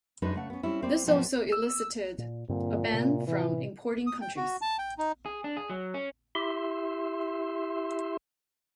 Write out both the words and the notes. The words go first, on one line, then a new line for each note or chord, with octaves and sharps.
This also elicited a ban from importing countries.
F#2 G#3 D4 D#4 B4
C#3 A3 F#5
B3 C#4
G3 C4 C#4 E4
C4 C5 D5
G#2 B2 D#3 F3 B3 G5
E6
A#2
G2 A#2 D3 C4
A2 C3
E3
D#6
G5
F#4
A5
G5
D#4
G#4
D4
G#4
F#3
C#4
E4 G4 E5 C6